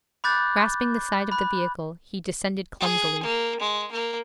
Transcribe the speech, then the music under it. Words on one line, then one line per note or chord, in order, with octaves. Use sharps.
Grasping the side of the vehicle, he descended clumsily.
B5 D6 F#6 G6 A6
B5 F#6
G#4
A#3
G#3
A#3